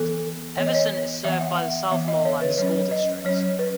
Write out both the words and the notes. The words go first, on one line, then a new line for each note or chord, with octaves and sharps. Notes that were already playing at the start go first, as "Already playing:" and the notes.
Everson is served by the Southmoreland School District.
Already playing: E3 B3 A4
E3 B3 C#5
D#5
C#5
E3 B3 E5 F#5
E5
F#5
E3 B3 E5
D#5
C#5
B4
F#3 C#4 C#5
D#5
F#3 C#4 C#5
B4